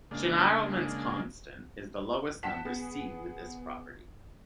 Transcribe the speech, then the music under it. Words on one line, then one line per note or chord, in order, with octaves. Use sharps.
Schnirelmann's constant is the lowest number C with this property.
C#3 G#3 A#3 D4
F#5 G5 A5 B6 E7
B3 G#4